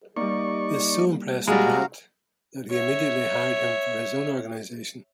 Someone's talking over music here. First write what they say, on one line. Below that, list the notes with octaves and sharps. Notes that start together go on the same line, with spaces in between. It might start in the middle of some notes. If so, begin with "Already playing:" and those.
This so impressed Pratt that he immediately hired him for his own organization.
G3 A#3 D#4 D5 C#6
A#2 G3 G#3 F#4 F5 A#5
C#5 E5